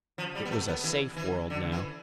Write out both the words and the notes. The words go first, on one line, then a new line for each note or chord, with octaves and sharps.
It was a safe world now.
F3
G3
B3
A3
B3
E3
E3
D3
E3